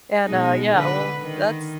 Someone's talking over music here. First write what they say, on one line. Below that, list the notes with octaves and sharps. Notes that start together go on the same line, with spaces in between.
and, uh, yeah. Well, that's
B2 G#3 D#4
D3 B4
D#3